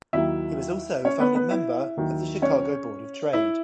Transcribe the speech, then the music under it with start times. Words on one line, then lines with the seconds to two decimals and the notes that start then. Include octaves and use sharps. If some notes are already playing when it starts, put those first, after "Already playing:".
He was also a founding member of the Chicago Board of Trade.
0.13 D#2 D#3 F#3 E4 E5
1.05 C#4 C#5
1.20 B3 B4
1.35 B3 B4
1.51 E4 E5
1.97 D#2 D#3 F#3
2.42 C#4 C#5
3.33 E4 E5